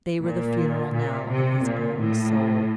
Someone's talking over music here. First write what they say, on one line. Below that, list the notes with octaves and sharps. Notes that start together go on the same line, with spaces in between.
They were the funeral knell of his own soul.
A#2
A#2
C3
A#2
A2